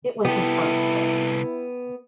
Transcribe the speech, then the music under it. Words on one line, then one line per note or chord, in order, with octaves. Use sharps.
It was his first book.
C2 B3 E4 G4 A4